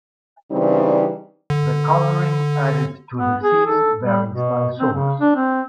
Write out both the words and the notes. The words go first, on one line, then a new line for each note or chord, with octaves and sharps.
The coloring added to the seal varies by source.
C#3 E3 G3 C4 D4 D#4
D3
B3
G#4
A4
G3
B2
C4
C#3
D4
C4